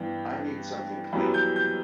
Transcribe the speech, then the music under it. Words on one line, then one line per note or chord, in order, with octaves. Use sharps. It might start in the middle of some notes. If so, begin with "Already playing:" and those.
I need something clean.
Already playing: G2 E3 B3 G5
F#2 E3 G3 B3 B5
G6
G6